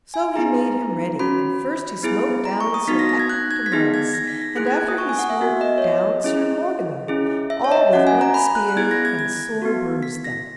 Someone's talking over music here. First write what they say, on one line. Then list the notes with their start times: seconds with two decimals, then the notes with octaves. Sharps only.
So he made him ready, and first he smote down Sir Ector de Maris, and after he smote down Sir Morganor, all with one spear, and sore bruised them.
0.14 G#5
0.36 B3 D#4 G#4 A#5
1.19 C#4 F#4 B5
2.03 B3 E4 G#4
2.45 A#5
2.60 C#6
2.74 D#6
2.88 B3 D#4 F#4 B6
2.99 A#6
3.09 A#6
3.20 G#6
3.29 F#6
3.51 G#6
3.66 B6
3.72 B3 D#4 G#4 A#6
3.94 G#6
4.14 A#6
4.28 B6
4.42 A#6
4.56 A#3 E4 G#4 F#6
4.67 G#6
4.77 F#6
4.88 D#6
4.98 C#6
5.09 G#5
5.19 F#5
5.30 E5
5.41 B3 F#4 E5
5.61 D#5
5.78 C#5
5.82 D#5
6.24 C#4 E4 G#4
7.08 C#4 E4 G#4
7.50 E5
7.64 C#5
7.72 D#5
7.93 C#4 F#4 F#5
8.07 G#5
8.21 A#5
8.34 B5
8.55 F#6
8.69 F#6
8.76 B3 E4 G#4 G#6
8.91 A#6
9.05 G#6
9.19 G#6
9.62 B3 F#4
10.03 B6
10.24 A#6